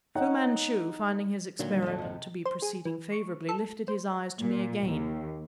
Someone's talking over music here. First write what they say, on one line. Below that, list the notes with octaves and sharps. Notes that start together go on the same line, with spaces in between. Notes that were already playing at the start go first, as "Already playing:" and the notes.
Fu-Manchu, finding his experiment to be proceeding favorably, lifted his eyes to me again.
D#4 C#5 F#5
A#2 D3 D#3 F#3 G3
G#1 F2 A4 D#5
D#2 C3
C5
G#4
E3
C#6
A4
C5
A#2
D#2